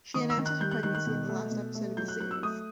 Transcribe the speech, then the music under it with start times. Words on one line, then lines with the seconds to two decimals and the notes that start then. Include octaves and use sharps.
She announces her pregnancy in the last episode of the series.
0.14 D#3 D#6
0.30 E6
0.38 D#3
0.46 F#6
0.60 G3 G6
0.71 F#6
0.83 D#3 F#6
0.95 F#6
1.06 B2
1.29 A3
1.51 B2
1.75 A3
1.97 F#3 G6
2.08 F#6
2.20 F#3 F#6
2.31 E6
2.43 A3 D#6